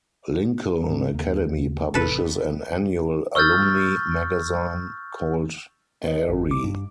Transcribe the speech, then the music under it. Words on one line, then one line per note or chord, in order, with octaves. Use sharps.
Lincoln Academy publishes an annual alumni magazine called Aerie.
G#2 C4
D#2 A#3
A1 C3 A4 B4
C#6 E6 F6 G6 A6
D#5
G#1
D6
G2